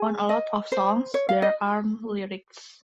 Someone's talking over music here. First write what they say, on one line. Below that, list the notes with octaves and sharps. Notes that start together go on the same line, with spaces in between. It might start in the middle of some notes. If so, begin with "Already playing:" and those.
On a lot of songs, there aren't lyrics!
Already playing: G#4
D#5
C5
C#5
F5
D#5